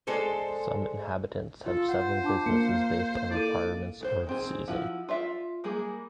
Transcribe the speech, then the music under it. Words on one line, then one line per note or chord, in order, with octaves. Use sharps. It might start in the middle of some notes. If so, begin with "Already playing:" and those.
Some inhabitants have several businesses based on requirements or the season.
G#3 D4 A4 C5
F4 A4
C5 F#5
D4 A5 D6
A#3 C#7
E4 A4 D5 D#7
G#3 B4 C5
D#3 C4 G#4
F3 E4 F#4
F4 D5 E5
G3 G#3 A#3 G#4